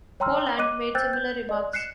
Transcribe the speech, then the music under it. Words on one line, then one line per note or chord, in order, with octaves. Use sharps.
Poland made similar remarks.
C#5 G5 A#5 C6 E6 F6
D#5 D6 F#6 D#7
C5 G5 E6 F#6 G6 A6
G6
D5 D#5
F#6 C7 C#7 E7